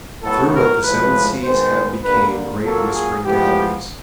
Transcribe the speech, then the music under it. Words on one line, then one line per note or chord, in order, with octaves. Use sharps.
Through it the seven seas have became great whispering galleries.
A2 F#3 B3 A4
A#4
A2 F3 G#3 B3 B4
D#3 G#3 B3 C5
D3 G3 A#3 B4
A#2 F#3 A#3 A4
G#4
A2 F3 G#3 B3 G4